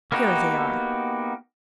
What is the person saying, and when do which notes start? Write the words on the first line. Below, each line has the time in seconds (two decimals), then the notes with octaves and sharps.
Here they are...
0.12 A#3 B3 D#4 F#4 G4